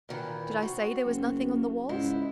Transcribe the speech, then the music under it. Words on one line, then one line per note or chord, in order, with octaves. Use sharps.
Did I say there was nothing on the walls?
A#2 D#3 E3
C4 F#4
F#1
C#2 G#2 E4